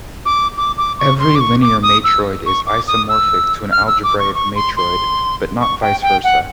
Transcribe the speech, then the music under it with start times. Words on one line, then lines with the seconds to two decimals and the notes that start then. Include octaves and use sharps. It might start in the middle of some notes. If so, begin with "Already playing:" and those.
Every linear matroid is isomorphic to an algebraic matroid, but not vice versa.
0.26 D6
0.57 D6
0.78 D6
0.99 C#6
1.20 C6
1.35 D6
1.41 C#6
1.62 D6
1.83 D#6
2.04 E6
2.46 C#6
2.66 D6
2.88 D#6
3.09 E6
3.72 F6
3.87 E6
4.04 D6
4.19 C#6
4.35 C#6
4.56 C6
4.77 C6
5.60 C#6
5.81 G5
6.02 G5
6.24 F#5